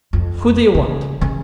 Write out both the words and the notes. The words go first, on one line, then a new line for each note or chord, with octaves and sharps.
"Who do you want?"
F2
C#3
C#3